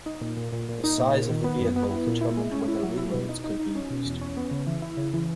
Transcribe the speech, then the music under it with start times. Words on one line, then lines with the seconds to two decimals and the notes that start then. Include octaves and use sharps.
The size of the vehicle determined whether reloads could be used.
0.06 D#4
0.21 A#2
0.37 A#2
0.52 A#2
0.69 A#2
0.84 D#4
0.98 A#2
1.14 A#2
1.30 D#3
1.44 B3
1.60 F#2
1.76 B3
1.90 E4
2.07 A#2
2.21 E4
2.37 G#3
2.51 C#4
2.68 E4
2.83 F#3
2.98 E4
3.14 B2
3.29 D#4
3.44 D#4
3.59 D#4
3.75 C#4
3.90 B2
4.05 E2
4.21 C#4
4.37 B3
4.51 C#3
4.67 E3
4.82 E4
4.97 C#3
5.13 E3